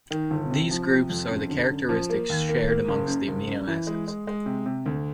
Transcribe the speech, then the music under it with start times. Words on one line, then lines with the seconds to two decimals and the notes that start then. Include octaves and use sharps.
These groups are the characteristics shared among the amino acids.
0.11 D#3
0.31 G1
0.51 C3
0.71 F3
0.90 C3
1.10 F2
1.29 F#2
1.50 D3
1.70 F#2
1.89 F3
2.10 A#3
2.29 D#2
2.49 A#3
2.68 A#3
2.88 F#1
3.08 F#2
3.28 F#1
3.48 F#2
3.67 E3
3.87 G#3
4.08 G#3
4.27 G#3
4.46 C3
4.66 C3
4.86 D2